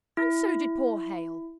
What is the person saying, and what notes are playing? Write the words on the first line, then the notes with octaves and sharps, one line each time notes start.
'And so did poor Hale.
E4